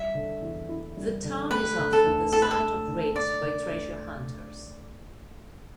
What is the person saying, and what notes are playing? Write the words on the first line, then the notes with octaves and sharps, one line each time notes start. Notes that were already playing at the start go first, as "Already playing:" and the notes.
The town is often the site of raids by treasure hunters.
Already playing: G3 E5
D3
E2
E4
G3
D3
A3 B4
D3
A4
D2
E4 A4
B4
A4
A3
D3
A3 D5
D3
D2